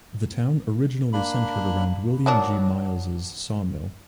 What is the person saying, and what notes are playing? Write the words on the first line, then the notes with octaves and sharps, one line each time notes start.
The town originally centered around William G. Miles's Sawmill.
A#3 D4 B5
D#3 F#3 D4